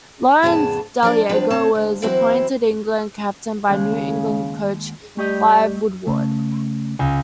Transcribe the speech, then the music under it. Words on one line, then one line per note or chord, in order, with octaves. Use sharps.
Lawrence Dallaglio was appointed England captain by new England coach Clive Woodward.
F2 A2 C#3 B3 G#4 A5
F3 D4 A#4 D5
F3 B3 C4 D4 B4
C3 C4 C#5 A5
D2
E3 F#3 C4 E4 F#4 C5
D#2 C#3 G#3
G3 A3 G4 D#5
C#3 A3
C#2 G#5